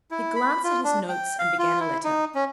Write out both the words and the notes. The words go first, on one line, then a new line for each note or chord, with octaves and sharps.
He glanced at his notes and began a letter.
E4
B5
F4
D4
G5
F5
F4
E4
D#4
C#4